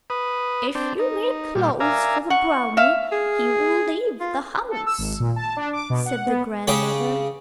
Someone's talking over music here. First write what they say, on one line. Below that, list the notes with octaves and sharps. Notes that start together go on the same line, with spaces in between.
"If you make clothes for the brownie, he will leave the house," said the grandmother.
B4 D#6
C4 D4
D#4
A#2 G3
A#4 D5 E5 F5 G#5 A#5
F#5 C#6
E5 F5
G#4
F4
A4
E6
G#1
A#2
A5
D4
D6
B2
F#5
B3
C#3 G4 G#4 C#5